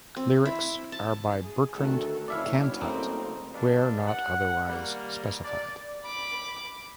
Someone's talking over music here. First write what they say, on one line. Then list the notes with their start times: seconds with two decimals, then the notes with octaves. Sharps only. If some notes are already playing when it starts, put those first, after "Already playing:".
Lyrics are by Bertrand Cantat, where not otherwise specified.
0.16 C4
0.45 E4
0.92 A5
1.40 G#4
1.77 D2 D#3 F#4 A4
2.28 F#1 D4 E4 C#5 D5 E5 F5
2.81 C2 A3 A#3 C4 D#4
3.54 G2 D#3 G3 D4
4.07 F#5
4.68 D#3 G3 A#3
5.45 D5
6.05 B5 D6